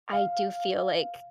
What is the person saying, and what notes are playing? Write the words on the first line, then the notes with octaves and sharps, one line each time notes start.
I do feel like,
F5